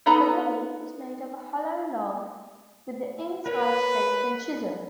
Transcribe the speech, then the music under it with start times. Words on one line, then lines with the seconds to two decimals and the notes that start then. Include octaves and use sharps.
The body is made of a hollow log, with the inside scraped and chiseled.
0.06 B3 D#4 A4 A#5 B5
3.46 A#4 B4 C#5